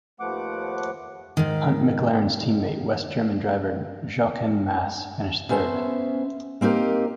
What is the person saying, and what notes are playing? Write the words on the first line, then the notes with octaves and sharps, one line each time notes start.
Hunt's McLaren team mate, West German driver Jochen Mass, finished third.
D#2 F3 A3 B3 F#5 D6
G#2 D#3
B3 C#4 C5 E5 A5
A#3 C4 D#4 G4 A#4